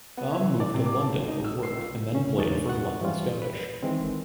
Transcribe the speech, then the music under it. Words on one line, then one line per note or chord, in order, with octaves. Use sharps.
Thom moved to London for work and then played for London Scottish.
B3
E4
E3
D5
C3
D6
A5
G#1
D#4
E6
C7
C#2
C#3 C#4
E2 G#3 D4 D#4 C#5 A6
F#5 C#6
E3 F3 G3 F4
B4
D#3 E3 G#3 C4